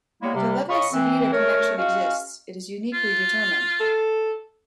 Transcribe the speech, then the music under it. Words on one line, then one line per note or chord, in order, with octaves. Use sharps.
If a Levi-Civita connection exists, it is uniquely determined.
G3 G#3 A#3 B3 E4 C#5
C3 G3
C#3 D#5 B5 C#6
E3 C4
A3 A#4 C#5
G#3 C#4 F#4 F5
F4
A4